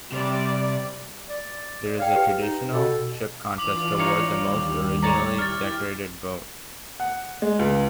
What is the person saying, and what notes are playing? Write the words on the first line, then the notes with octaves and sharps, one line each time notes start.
There is a traditional ship contest to award the most originally decorated boat.
C3 G3 D5
D5
D5 F5 G5
G4 B4 F5 G5
D#4
B2 A4
E3 D4 F4 D6 F#7
D#4 C#5 F5
D#2 G3
C#5 D5 A#5
E4 G4 C#5 F6 A6
F#5
G#3
C#2